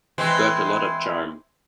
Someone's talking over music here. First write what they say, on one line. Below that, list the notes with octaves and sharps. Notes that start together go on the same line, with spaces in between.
Got a lot of charm.
E3 G#3 C4